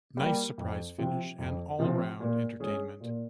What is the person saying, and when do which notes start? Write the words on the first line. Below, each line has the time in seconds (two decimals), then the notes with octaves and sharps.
Nice surprise finish and all-round entertainment.
0.17 G3 A#3
0.58 F2
0.98 C3 F3 C4
1.38 F2
1.79 C3 F3 C4
2.20 A#2
2.60 G#3 C#4 G#4
3.00 A#2